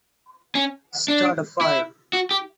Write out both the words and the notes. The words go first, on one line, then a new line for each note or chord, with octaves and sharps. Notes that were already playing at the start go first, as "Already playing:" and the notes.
Start a Fire.
C#4
D4
E4
F#4
G4